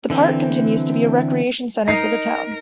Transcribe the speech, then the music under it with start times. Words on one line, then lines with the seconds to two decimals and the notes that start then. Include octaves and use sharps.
The park continues to be a recreation center for the town.
0.10 D3 E3 C4
1.88 D#4 A#4 C7